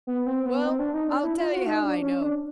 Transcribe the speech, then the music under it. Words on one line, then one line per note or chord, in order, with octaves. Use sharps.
Well I'll tell you how I know!
B3
C4
B3
C4
D4
D#4
D4
E4
F4
F#4
D#4
D4
C#4
D4